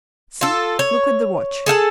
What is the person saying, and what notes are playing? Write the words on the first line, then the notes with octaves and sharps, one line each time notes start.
See, look at the watch.
F4 A4
C#5
G#4 A4 F5 A5